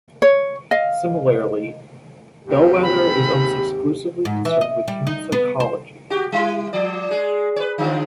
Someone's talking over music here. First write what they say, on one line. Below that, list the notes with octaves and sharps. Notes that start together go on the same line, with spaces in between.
Similarly, "Bellwether" is almost exclusively concerned with human psychology.
C#5
D#5 F5
D#2 G#2 C3 G4
B5
G#2
E3
D#5
G3
D#4
B3
C5
F#4 G4
G3 E4
F3 D5
G#3 G#4
B4 C#5
D3 F3 G#3